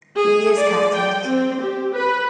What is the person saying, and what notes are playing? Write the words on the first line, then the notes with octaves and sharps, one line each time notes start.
He is Catholic.
G#4
D5
G5
C4
G4
B4